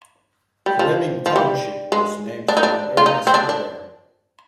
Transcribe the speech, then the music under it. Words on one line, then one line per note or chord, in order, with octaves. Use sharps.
Fleming Township was named for an early settler.
G3
F3
F3
G3
G#3
D4
D#4
D4
F4
D#4
C4
D4
D4